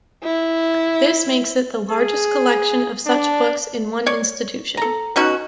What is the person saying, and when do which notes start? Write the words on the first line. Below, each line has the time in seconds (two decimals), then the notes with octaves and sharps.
This makes it the largest collection of such books in one institution.
0.23 E4
1.89 G#4
3.06 D4
4.06 C#5 D5
4.77 A4 A#5
5.16 B2 C#4 D#4 F#4